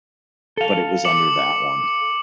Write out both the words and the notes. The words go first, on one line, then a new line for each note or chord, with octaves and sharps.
but it was under that one.
A4 F5
D6 C#7 F#7